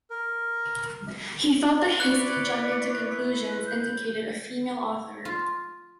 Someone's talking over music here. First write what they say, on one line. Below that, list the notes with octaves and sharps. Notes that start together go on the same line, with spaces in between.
He thought the "hasty jumping to conclusions" indicated a female author.
A#4
E4 B4 C#5 D5 F#6
G6
F4